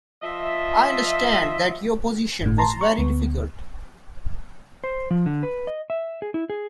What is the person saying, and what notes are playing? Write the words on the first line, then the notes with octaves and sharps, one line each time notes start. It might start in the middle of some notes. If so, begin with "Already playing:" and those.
I understand that your position was very difficult.
F3 F4 D#5 E5
G1 A2
A5 A#5 C6
C#6
D2 B3
C5
F3
D3
B4
D#5
E5
G#4
E4
G#4